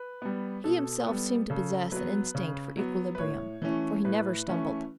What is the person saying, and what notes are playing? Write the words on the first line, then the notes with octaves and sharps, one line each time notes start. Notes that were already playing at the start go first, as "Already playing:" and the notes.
He himself seemed to possess an instinct for equilibrium, for he never stumbled.
Already playing: B4
G3 B3
B2 A4
G3 B3
C#3 A4
F#3 B3 B4
C#3
F#3 B3
B4
A2 C#5
E3 A3 C#4
A2 B4
E3 A3 C#4